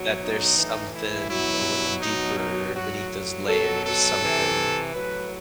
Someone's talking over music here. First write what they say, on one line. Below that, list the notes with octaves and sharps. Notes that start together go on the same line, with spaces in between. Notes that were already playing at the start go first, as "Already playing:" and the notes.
That there's something a little deeper beneath those layers, something,
Already playing: B2 F#3
D#4
A2 E3
E4
B2 F#3 E4
B2 F#3 D#4
D#4
A2 F#3 F#4
B2 F#3 A4
A4
C3 E3
A2 F#3 B4